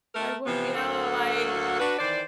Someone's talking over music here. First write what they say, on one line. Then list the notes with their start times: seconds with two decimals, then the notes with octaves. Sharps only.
like, what" you know? Like,
0.15 A3 A#4
0.46 C3 E3 F3 B3
0.75 D2 F#3 A#3 F#4 A4 F#5
1.80 D4 F#4 B4
1.99 D#3 E3 C5 D5